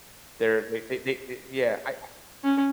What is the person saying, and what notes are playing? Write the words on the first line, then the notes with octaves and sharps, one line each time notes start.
they're they they they they yeah, I
C#4